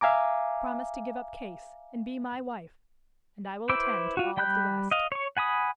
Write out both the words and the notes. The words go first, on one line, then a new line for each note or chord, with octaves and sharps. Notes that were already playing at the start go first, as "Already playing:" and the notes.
Promise to give up Case, and be my wife, and I will attend to all of the rest.
E5 F5 G#5 A#5 D6
E4 B4 C5 D6 E6
F4 F#4
G3 G5 B5 F#6 G6
D#5 F5
C#5 C#6
F#5 G#5 B5 D#6